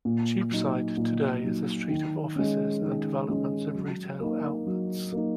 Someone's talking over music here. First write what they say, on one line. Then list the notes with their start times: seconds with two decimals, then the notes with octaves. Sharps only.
Cheapside today is a street of offices and developments of retail outlets.
0.05 A#2
0.51 F#3 D#4
0.97 A#2
1.44 F#3 D#4
1.89 D#3
2.36 G#3 C#4
2.82 D#3
3.29 G#3 C#4
3.75 F#3
4.20 A#3 D#4
4.67 F#3
5.13 A#3 D#4